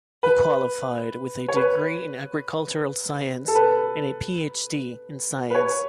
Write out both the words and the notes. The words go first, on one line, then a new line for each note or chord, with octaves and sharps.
He qualified with a degree in Agricultural science and a PhD in science.
B4
C#5
B4
A4
B4
B4
C#5